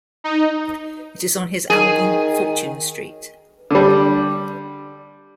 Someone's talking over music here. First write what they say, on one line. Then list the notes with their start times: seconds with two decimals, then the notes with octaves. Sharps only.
It is on his album, Fortune Street.
0.24 D#4
1.70 D#3 G#4
3.71 D3 G3